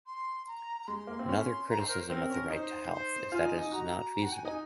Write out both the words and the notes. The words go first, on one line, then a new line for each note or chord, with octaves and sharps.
Another criticism of the right to health is that it is not feasible.
C6
A#5
A#5
G#3 C6
A#3
C4
C#4 C6
A#5
C5
A#4
C5
C4 A#4
C#4
D#4 C5
C5
F4 G#5
D#4
D#4
F#4 A#5
A#5
F#5
G#5
D#4 G#5